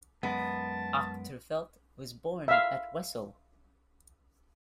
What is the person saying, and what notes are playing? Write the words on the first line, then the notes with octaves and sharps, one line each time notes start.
Achterfeldt was born at Wesel.
F#2 G#3 B3 A#4 A5
E5 F5